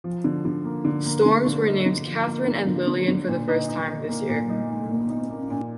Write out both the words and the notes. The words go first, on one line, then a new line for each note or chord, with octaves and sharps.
Storms were named Katherine and Lillian for the first time this year.
F3
D3
D3
A#3
D3
A#3
D3
D3
D#4
D3
F3
A#3
D3
D3
D3
D3
A#2
D#4
D#4
D#4
A#3
A#2
D#4
D#4
A#2
D#4
A#3
A#2